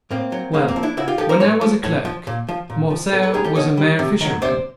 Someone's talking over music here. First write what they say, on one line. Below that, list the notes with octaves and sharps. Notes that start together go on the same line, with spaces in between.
"Well, when I was a clerk, Morcerf was a mere fisherman."
A2 A#3 C4
F#3
C#3 G#3 A#3
A#3 C4
F3
D4 E4
C#3 E4 F#4
F4 G4
F3 G4 A4
A#4 C5
A2 B4 C#5
F3
A2
F3
A#2
F3
A#2
F3
B2 A4 B4
A4 B4
G3 G#4 A#4
G4 A4
B2 C#5 D#5
G3
C3
D#3 F#3
C3 C5 D5